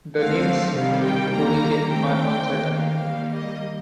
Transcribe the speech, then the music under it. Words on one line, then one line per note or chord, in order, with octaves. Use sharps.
The name's origins are uncertain.
D3 A3 C4 F5
C3 D#3 G3 F5
G5
D#3 G3 A#3 A#5
D#3 A3 C4 G5
D#3 A#3
F5
D#3 G3 A#3
D#5